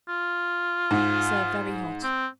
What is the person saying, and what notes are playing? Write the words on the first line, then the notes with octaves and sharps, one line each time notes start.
Serve very hot.
F4
G#2
C4